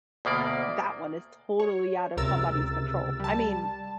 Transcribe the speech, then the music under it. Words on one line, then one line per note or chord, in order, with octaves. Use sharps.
that one is totally out of somebody's control, I mean
D2 B2 A#3 D5
C#5
C#2 C3 A#4 E6 A6
G3 A5